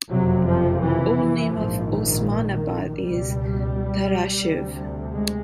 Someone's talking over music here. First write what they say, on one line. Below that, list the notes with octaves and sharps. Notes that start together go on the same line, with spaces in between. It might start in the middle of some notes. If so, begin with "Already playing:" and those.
Old name of Osmanabad is Dharashiv.
F#1 F2 C3 F#3
F3
E3
A#1 G#2 F3
D#3
C#2 B2 G3
D2 C3
G#3